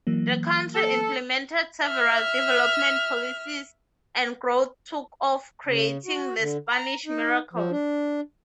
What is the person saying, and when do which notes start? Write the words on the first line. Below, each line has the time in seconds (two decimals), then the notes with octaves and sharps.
The country implemented several development policies and growth took off creating the "Spanish Miracle".
0.07 E3 F#3 A#3
0.75 A4
1.84 E5 F6
5.67 C#3
6.05 F#4
6.39 D3
6.68 A#5
7.06 D#4
7.53 F3
7.71 D4